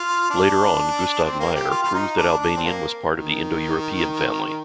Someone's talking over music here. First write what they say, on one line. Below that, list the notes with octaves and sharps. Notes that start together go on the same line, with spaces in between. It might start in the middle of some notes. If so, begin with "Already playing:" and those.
Later on Gustav Meyer proved that Albanian was part of the Indo-European family.
Already playing: F4
D4
C4
A#3
G4
F4
F4
D#4
D4
D4
C4
A#3
D#3